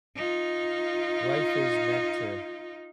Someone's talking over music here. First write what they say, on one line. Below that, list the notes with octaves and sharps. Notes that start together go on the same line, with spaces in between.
life is meant to,
D#4 F4